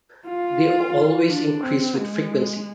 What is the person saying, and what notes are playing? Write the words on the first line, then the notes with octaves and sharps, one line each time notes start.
They always increase with frequency.
F4
D4
C4
G#3